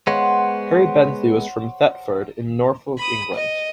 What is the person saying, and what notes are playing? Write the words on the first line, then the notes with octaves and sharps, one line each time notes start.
Harry Bensley was from Thetford in Norfolk, England.
G#3 B3 C5 C#5 F#5
B5 D#6
D#5